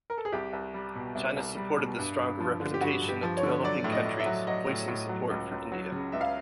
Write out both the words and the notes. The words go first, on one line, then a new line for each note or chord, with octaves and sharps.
China supported the stronger representation of developing countries, voicing support for India.
A#4
A4
G#4
C2 G4
C2
G3
B2
C2
C2
G3
B2
G2
G2
F3
D3
G4
G2 F#4
G2
G4
F3
C#5
D3
F#3 D5
A2
D#5
A2
E5
F#3
F#3 D#5
A2
A2
F#3
C#2
C#2
F#3
C#3
C#2 E5
F5